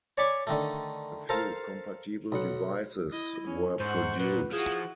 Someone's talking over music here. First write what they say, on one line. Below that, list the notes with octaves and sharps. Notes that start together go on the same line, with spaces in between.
A few compatible devices were produced.
C#5 D5 G#5 B5 C#6 D6
D3 D#3 A3
A4 A#4 C5 F5 A5
B1 F#5
E4 D#5
C#4
G#2 C5 F#5 C#6
A#2 B4
F3 E4 F#4 G#4